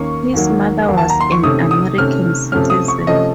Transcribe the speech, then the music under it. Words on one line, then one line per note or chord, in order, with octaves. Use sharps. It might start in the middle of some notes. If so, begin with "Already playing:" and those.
His mother was an American citizen.
Already playing: D#2 D#3 A#3 C#4 C#6
D#2 D#3 F#3 A#3
D#2 D#3 F#3 A#3
A5
A#5
C6
C#6
C3 D#3 A3 C#4 D#6
D#6
C3 D#3 A3 C#4 F6
C3 F3 A3 C#4 F6
D#6
C#6
C3 F3 A3 C#4 D#5